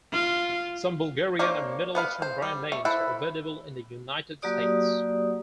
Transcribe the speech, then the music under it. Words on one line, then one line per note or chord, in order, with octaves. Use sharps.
Some Bulgarian and Middle Eastern brand-names are available in the United States.
F4
A#3 D4 C5 C#5 F5
B3 B4 F5 B5
C5
G3
A3
E4 A4 B4 C5
F#3 A#3 F#4 G4 D5 D#6